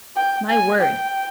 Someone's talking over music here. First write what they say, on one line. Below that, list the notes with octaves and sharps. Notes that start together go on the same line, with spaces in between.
My word!
G5
G#5
G5